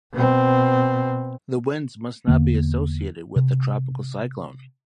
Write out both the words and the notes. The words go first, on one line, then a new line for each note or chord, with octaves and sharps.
The winds must not be associated with a tropical cyclone.
B2 C4
E2 D3 A#3
C3